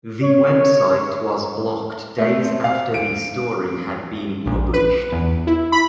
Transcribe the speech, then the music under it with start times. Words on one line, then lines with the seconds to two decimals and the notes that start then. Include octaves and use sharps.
The website was blocked days after the story had been published.
0.23 C#5
2.18 A3
2.42 C5
2.64 F5
2.94 D7
4.46 A#1
4.74 B4
5.12 E2
5.47 E4
5.72 B5